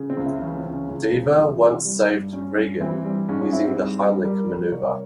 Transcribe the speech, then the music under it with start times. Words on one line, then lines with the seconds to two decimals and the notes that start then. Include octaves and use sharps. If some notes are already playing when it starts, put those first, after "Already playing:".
Deaver once saved Reagan using the Heimlich maneuver.
Already playing: C#3
0.10 C4
0.17 C#2
0.26 C4 E4
0.42 E3 C#4
0.57 C4
0.65 C#2
0.73 C#4
0.89 C#2 C#4
1.14 C3
1.37 E3 C4 E4
1.61 C3
1.85 G3
2.09 G2
2.32 G2 C#4
2.56 G2
2.81 E3 C4
3.05 G3
3.28 G#2 C#4
3.41 C#4 F4
3.52 G#2 C4 E4
3.65 C4
3.76 G3
4.00 G3
4.24 G3 G4 A#4
4.48 G3
4.72 C2 A#4 C#5